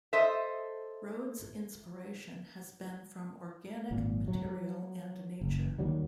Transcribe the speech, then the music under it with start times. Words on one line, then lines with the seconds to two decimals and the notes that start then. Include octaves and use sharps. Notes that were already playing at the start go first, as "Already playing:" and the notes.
Rhodes' inspiration has been from organic material and nature.
0.13 A4 C5 D#5 E5
3.91 G#1 A#2
4.28 F#3
5.41 F#1
5.78 D#2 D#3 F#3 G3